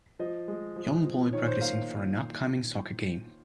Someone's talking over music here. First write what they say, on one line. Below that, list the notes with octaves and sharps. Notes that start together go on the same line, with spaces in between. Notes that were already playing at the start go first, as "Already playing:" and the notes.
Young boy practicing for an upcoming soccer game.
F3 D#5
G#3
F3
F3
D#3 C#5
C5
A#3 F5